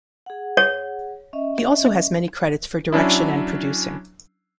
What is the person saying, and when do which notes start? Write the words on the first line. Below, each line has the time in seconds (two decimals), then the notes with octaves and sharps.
He also has many credits for direction and producing.
0.26 G#4 F#5
0.57 C#5
1.33 C#4 D#5 E5
2.92 F#3 C#4 D4 E4